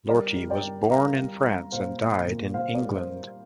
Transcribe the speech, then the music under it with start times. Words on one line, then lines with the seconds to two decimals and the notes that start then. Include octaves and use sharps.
Lortie was born in France and died in England.
0.09 G3 A#4 D5
0.37 G3
0.50 D5 G5
0.63 G3
0.91 G3 F5 A#5
1.19 G3
1.45 G3
1.72 A#2 C5 F5
1.99 A#2
2.27 A#2
2.54 G3 C5 F5
2.74 A#4 D5
2.82 G3
2.95 C5